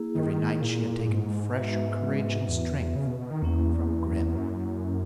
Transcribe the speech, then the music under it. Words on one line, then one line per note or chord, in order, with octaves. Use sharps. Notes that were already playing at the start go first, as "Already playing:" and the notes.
Every night she had taken fresh courage and strength from Grimm.
Already playing: A#3 E4 G#4
D#3
A#2
G#2
B3 F#4 B4 E5
E2
C#3
B2
B2
D#3
E2 A#3 C#4 E4
E2
F#2